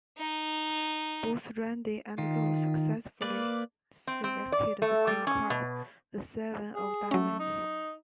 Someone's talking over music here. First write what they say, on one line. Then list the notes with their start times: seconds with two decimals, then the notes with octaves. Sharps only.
Both Randi and Lu successfully selected the same card, the seven of diamonds.
0.18 D#4
2.18 D#3 F4
3.22 A#3 B4 D5
4.07 C4
4.24 C4
4.52 D5
4.82 A3
5.07 G3
5.27 C#4
5.50 B2
6.75 G#4
7.11 F#3 A3 C#4
7.39 D#4